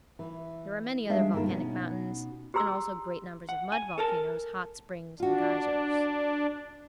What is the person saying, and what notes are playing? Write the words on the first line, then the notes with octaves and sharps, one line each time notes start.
There are many other volcanic mountains, and also great numbers of mud volcanoes, hot springs and geysers.
E3
G3 G#3 D4 E5 F5
G2 D#3 A#3 A4
B2 C#4 D#4
G4 G#4 A#5 C6 E6
F#5
G#5
A4 A#4 A5
D4 F4 F#4